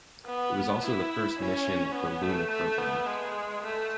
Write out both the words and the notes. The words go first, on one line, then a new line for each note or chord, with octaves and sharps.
It was also the first mission of the Luna programme.
B3
E4
C#4
B3
A3
A3
B3
G#3
A3